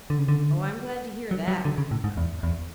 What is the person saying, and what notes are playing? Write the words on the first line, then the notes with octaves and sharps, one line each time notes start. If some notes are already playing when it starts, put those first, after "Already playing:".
"Oh, I'm glad to hear that!" cried Button-Bright.
D3
C#3
D3
F#3
F#3
D3
C#3
A2
G#2
E2
E2